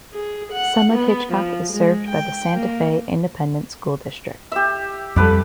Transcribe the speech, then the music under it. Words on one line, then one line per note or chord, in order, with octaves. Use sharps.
Some of Hitchcock is served by the Santa Fe Independent School District.
G#4
F#5
B3
F3
G#3
G5
A#3
G4 E5
F2 G3 A4 B4 D5